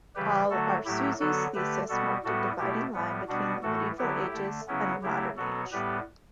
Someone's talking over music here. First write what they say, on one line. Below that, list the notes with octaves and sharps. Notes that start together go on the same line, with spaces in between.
Al-Arsuzi's thesis marked a dividing line between the Medieval Ages and the Modern Age.
C#3 E3 G3 G4 B4
D3 F#3 A3 F#4 A4
A2 F#3 A3 E4 G4
D3 F#3 B3 F#4 A4
D3 A3 G4 B4
B2 G3 B3 F#4 A4
A2 G3 B3 F#4 A4
B2 A3 E4 G4
A2 G3 B3
B2 G3 B3 D4 F#4
A2 E3 A3 F#4 A4
D3 F#3 B3 E4 G4
D3 A3
C#3 F#3 B3 C#4 E4
C#3 F#3 A3 E4 G4
B2 F#3 B3 F#4 A4
A2 G3 B3 G4 B4